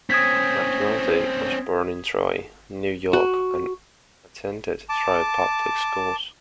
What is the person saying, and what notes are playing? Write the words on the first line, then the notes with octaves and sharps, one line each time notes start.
McNulty was born in Troy, New York and attended Troy public schools.
C4 C#4 D#6 G#6 B6
F#4
A5 D6